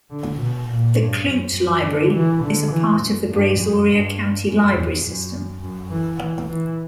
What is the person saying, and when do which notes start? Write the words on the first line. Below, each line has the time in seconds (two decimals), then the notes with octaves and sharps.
The Clute Library is a part of the Brazoria County Library System.
0.10 D3
0.39 B2
0.68 A#2
0.98 G2
1.26 F#2
1.55 F#2
1.84 D3
2.13 E3
2.43 D3
2.72 E3
3.01 F#2
3.30 G2
3.59 F#2
3.88 G2
4.46 F#2
4.75 E2
5.04 F#2
5.62 F#2
5.91 E3
6.20 E3
6.50 E3